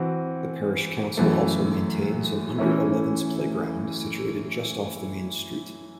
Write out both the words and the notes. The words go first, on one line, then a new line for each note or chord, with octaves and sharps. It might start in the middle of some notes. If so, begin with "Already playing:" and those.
The parish council also maintains an under-elevens playground, situated just off the main street.
Already playing: E3 C4 F#4
F#2 E3 A3
E3 A3 C#4 E4